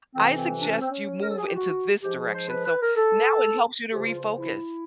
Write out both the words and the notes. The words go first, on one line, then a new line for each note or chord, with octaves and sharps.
I suggest you move into this direction." So now it helps you to refocus.
F2 C3 E3 C4
C4
D4
C#4
C4
C#4
A#4
A4
G#4
G4
F#4
G#2 F3 G4
G#4
C5
B4
B4
A#4
A4
E2 C#3 F3 G4
F4
E4